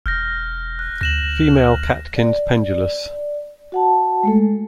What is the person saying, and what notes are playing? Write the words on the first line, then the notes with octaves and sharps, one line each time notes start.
Female catkins pendulous.
E1 F6 G6 A#6
F#6
D2 A#6 E7 F#7
D5
F#4 F#5 A5
G#3 A3 A4